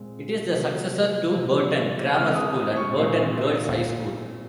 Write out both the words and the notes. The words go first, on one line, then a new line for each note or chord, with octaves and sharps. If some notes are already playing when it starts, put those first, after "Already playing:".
It is the successor to Burton Grammar School and Burton Girls' High School.
Already playing: A#2 G#3 C4
C3 F#3 A#3
C3 F3 C4
C#3 G#3 C4 F6
D#6
D#6
C#6
A#2 G#3 C4 C6